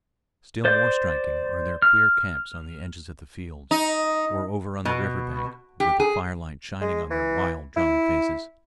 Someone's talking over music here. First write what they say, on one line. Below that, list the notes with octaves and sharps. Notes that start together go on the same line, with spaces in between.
Still more striking are their queer camps on the edges of the fields or over on the river bank, with the firelight shining on their wild jolly faces.
C5 D5 G6
F6
D#4
B2
G4
G#4
G#3
E3
E4